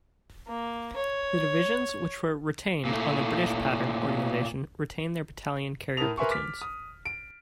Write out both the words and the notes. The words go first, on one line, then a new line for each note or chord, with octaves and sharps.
The divisions which were retained on the British-pattern organisation retained their battalion carrier platoons.
A#3
C#5
A#2 A3
A2 A#4 A5 D#6 F7
A#4 B4 E5 G#5 C6 C#6
D6 F6 B6
D#6
D7